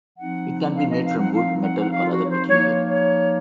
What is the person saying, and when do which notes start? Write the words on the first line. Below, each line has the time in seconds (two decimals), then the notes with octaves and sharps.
It can be made from wood, metal or other material.
0.18 F3 C4 D#4 F#5
0.76 F5
0.90 D#5
1.05 F5
1.19 F#5
1.34 F5
1.62 F#5
1.80 F#5
1.92 F5
2.02 F4
2.11 F#4
2.25 C#5
2.30 C5
2.49 F3 A#3 D#4 C#5
2.69 C#5
2.88 C#5